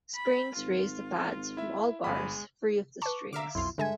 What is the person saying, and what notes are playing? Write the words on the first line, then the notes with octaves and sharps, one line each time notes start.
Springs raise the pads from all bars free of the strings.
B5
G#1 F4
E4 E5
G1 G#3 B5
B4 A5 C#6 D6
D3 E5 F5 A#5 D6
B1 F2 E4 F4 C6
G2 D3 G#3 A4 E5 G#5 G#6